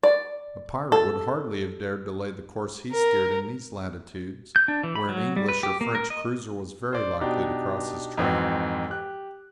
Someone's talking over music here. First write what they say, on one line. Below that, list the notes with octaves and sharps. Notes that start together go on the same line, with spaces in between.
A pirate would hardly have dared to lay the course he steered in these latitudes, where an English or French cruiser was very likely to cross his track.
D5
A4
A#4
G6
D4
E3
B5
F#3
G3
B4
G4
A#3
A#4
D#5
C5 D5
B2 D4 D#4 G4
F2 G#2 E3 F#3 C4
G4 F#6